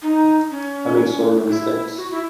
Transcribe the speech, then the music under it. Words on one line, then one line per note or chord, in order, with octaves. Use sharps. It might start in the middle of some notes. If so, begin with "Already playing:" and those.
I make so many mistakes.
D#4
C#4
E4
F#4
E4